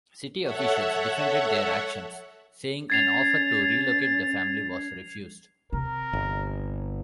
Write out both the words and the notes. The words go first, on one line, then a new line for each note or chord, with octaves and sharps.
City officials defended their actions, saying an offer to relocate the family was refused.
A4 C#5 E5 F#5
C#4 G#6 A6 C7 F7
D#2 C3 A#4
G1